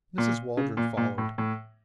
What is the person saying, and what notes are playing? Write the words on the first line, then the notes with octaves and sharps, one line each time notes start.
Mrs. Waldron followed.
A#2
C#3
A#2
A#2
A2
A2